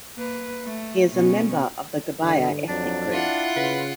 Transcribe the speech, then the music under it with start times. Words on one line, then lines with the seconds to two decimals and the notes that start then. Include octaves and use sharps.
He is a member of the Gbaya ethnic group.
0.16 A#3 B4
0.65 A3
1.11 B2 C#4
2.23 G2 D3
2.68 F2 F#3 D4
3.11 E4 F4 F#5
3.56 C#3 B4